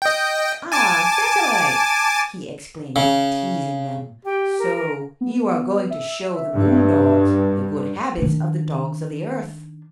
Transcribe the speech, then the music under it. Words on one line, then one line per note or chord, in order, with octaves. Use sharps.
Ah, Satellite!" he exclaimed, teasing them; "so you are going to show the moon-dogs the good habits of the dogs of the earth!
D#5 G5
G#5 A5 D6
C#3
G4 G5
A#4
A#4
B3
E5
G2
D#3 D4